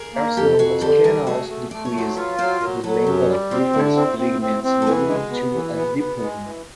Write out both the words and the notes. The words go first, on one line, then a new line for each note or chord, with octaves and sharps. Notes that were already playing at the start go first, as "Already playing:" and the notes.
Carcinomas can also decrease the length of Cooper's ligaments leading to a dimpling.
Already playing: G#4 A#4
A#3
F2 G4 A4
F2 F#4 G#4
D3 G4 A4
G3 G#4 A#4
A3 F#4 G#4
A3
A3 D5
C#5
F#3 C5 D5
F4 B4 C#5
F#3 C5 D5
F#3 A#4 C5
F#3 A4 B4
F#2 G4 A4
G3
C4 F4 G4
D3 E4 F#4
C4
C4
C4
C4
A4
E3 F#4 G#4
G#3
B3
E3
B3
B3
G#3
E3